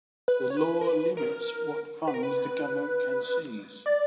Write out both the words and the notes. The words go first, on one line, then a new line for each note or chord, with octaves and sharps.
The law limits what funds the government can seize.
B4
C#5
B4
A#4
B4
A#4
B4
A#4
B4
D5